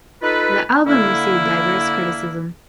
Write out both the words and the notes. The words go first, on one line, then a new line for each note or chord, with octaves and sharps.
The album received diverse criticism.
D#4 F4 A4 B4
D3 A#3 E4